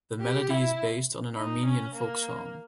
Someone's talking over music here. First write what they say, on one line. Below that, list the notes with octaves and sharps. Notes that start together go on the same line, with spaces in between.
The melody is based on an Armenian folk song.
G4
E4
D#4
C#4
A#3